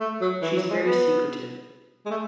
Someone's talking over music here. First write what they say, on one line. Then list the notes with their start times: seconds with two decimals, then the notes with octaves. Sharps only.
She's very secretive.
0.01 A3
0.22 F#3
0.42 E3
0.57 F#3
0.71 G#3
0.85 B3
2.06 G#3
2.11 A3